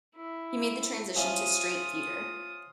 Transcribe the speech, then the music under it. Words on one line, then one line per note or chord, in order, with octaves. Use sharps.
He made the transition to straight theater.
E4
F3 C#4 F4 E5 D#6